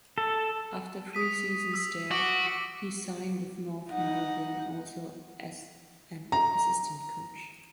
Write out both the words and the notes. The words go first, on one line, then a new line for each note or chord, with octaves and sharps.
After three seasons there, he signed with North Melbourne, also as an assistant coach.
A4
D#6 B6 D#7
D#6 E6 B6
F#4 D6 D7 G7
D#4 F#5
A#5